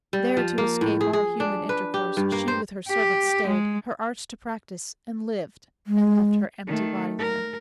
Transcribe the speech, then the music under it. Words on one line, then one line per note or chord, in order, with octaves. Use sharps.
There to escape all human intercourse, She with her servants stayed, her arts to practise And lived, and left her empty body there.
G3
F3
A#3
A2
G#4
G#4
D4
B4
G4
G2
A#3
C5
G4
G#3
G#3
D#3 A3
A#4